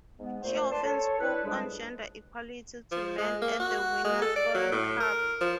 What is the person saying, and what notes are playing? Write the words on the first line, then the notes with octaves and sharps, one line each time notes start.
She often spoke on gender equality to men at the Wiener Frauen Club.
G#2 G#3 B3
A#2 A3 C5
D4 B4 D5 A5 C6
A4 C#5
D4 E4 A4 B4
F3 G3 G#3 D4 G#4
F3
G#3
A#3
F#4
G#3
A4
D5
F#3
A2
A#4
F3